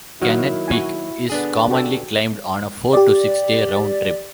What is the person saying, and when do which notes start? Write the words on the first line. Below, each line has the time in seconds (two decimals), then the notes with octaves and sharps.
Gannett Peak is commonly climbed on a four- to six-day round-trip.
0.22 D#3 F#3 A#3 E4 F#4
0.68 F#4 G#5
1.30 D3 B3 D4 G#4
1.69 F#4 G4 A4
2.93 G4 D5